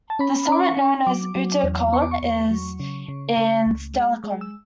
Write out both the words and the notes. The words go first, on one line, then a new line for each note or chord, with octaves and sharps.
The summit, known as Uto Kulm, is in Stallikon.
A5
C#4 B5
C#4 D6
C#6
C#4
F#3 D6
F#3
E2
B3 C#6
D6
C#6
E2
F#3
C#3
C#3
C#3
C#2
G#3
G#3
E6